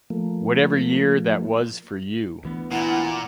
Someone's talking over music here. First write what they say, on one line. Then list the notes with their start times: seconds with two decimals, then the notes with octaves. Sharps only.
Whatever year that was for you.
0.10 F3 A3 A#3
2.44 D2 E3 B3
2.72 A#2 E4 F#5